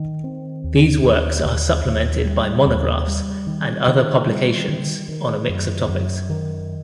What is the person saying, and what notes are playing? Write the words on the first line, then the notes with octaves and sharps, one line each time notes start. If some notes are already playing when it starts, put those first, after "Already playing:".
These works are supplemented by monographs and other publications on a mix of topics.
Already playing: D#3
C4
D#2
D#2
D#2
D#2
G3
D#2
G3
D#3
D#3
G3
D#3
D#3
F#2
F#2
D#3